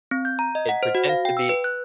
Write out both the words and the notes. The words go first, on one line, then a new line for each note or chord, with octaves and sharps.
it pretends to be
C4
G6
A#5
D#5
F#5
C5
F#4
F5
G5
E6
B4
F#6